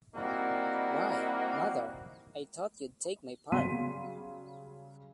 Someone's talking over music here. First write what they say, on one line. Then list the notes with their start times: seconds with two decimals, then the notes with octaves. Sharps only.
Why, mother, I thought you'd take my part!
0.15 G3 A#3 C4 D#4 E4 F#4
3.52 C#3 F#3 G3 C6 B6 D#7